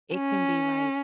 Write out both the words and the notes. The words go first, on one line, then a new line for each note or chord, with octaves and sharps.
it can be, like,
C#4